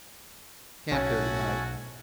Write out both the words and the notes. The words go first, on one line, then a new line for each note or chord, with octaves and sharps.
Camp there tonight.
B1 C#4 F#4 E5 G#5 A5